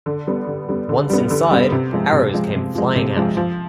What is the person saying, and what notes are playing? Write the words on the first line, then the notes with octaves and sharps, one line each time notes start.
Once inside, arrows came flying out.
D3
G3 B3
D3
G3 B3
D3
G3 B3
D3
G3 B3
C3
F3 G#3
C3
F3 G#3
C3
F3 G#3
C3
F3 G#3
F3